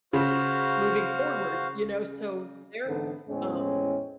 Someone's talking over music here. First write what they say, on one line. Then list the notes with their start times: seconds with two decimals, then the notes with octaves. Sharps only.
moving forward, you know, so their, um,
0.13 C#3 F#4 C5 F5
2.86 G#2 D3 E3 B3 C4 A4
3.28 E2 A2 G#3 C4 C#4